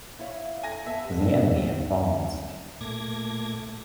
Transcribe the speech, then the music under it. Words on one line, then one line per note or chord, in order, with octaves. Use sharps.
The enemy advanced.
E4 C#5 F5
A4 G#5 A#6
B3 E5 A5
G4
A#2 A3 D6 G#6 A#6